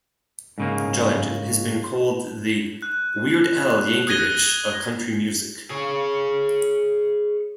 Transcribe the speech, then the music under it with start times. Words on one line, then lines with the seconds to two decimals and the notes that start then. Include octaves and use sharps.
Judd has been called the "Weird" Al Yankovic of country music.
0.58 G#2 C#3 A#3
2.82 F#6
4.07 D#6 F#6 G#6 A#6 D#7 G7
5.70 G#4 C#5